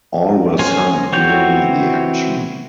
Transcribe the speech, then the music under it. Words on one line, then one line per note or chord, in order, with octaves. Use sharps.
All were sunk during the action.
C#4 A#4 C5 G#5
E3 C4 F#4 C#5 G6